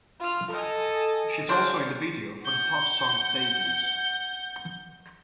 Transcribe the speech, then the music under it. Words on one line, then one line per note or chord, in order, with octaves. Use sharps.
She is also in the video for the Pulp song "Babies".
F4 F6
A4 D#5 G#5
C#3 D4 A#4 C5
F#5 G6